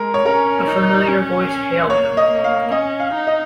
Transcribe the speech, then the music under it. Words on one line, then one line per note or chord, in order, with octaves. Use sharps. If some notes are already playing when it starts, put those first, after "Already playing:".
A familiar voice hailed him.
Already playing: G#3 A#4
C#5
C#4 A#4
D#4
C#4
A#3 C#5
D#5
F5
C#4 D#5
F5
D#4
D#5